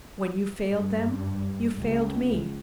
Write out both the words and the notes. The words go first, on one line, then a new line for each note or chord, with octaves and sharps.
When you failed them, you failed me.
G2
C#2